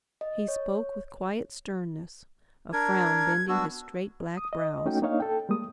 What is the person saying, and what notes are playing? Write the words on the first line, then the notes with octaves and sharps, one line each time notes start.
He spoke with quiet sternness, a frown bending his straight black brows.
D#5
C#5
D4 A#4 G#6
B3 D4 F#4 E6
D#6
D#5
A3 C#4 D#4 F#4 G5
A#3 D4 D#4 C#5 D#5 F5
A4 G5
G3 G#3 A#3 D#6